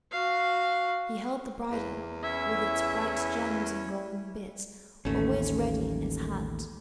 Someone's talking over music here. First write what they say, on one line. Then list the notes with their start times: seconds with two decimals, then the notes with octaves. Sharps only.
He held the bridle, with its bright gems and golden bit, always ready in his hand.
0.11 F#4 F5
1.71 E2
2.23 C#4 E4 C#5 E5
5.05 A1 D#2 A3 C#4